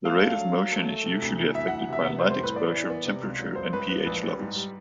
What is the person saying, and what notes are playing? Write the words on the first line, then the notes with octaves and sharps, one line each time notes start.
The rate of motion is usually affected by light exposure, temperature, and pH levels.
A3 F5
D4
F5
F#3
F#3
A3
A3
C3
D2
E3
E3 E5
F#5
D2
F#5
C3 E5
B3 F#5
C5
G3
C5
A2 B4
B3 D5
E3
B3
C3
C#2
F#3
C#2 C5
C#2 B4
C#2 B4
A#1 B4
G3
G#2
G3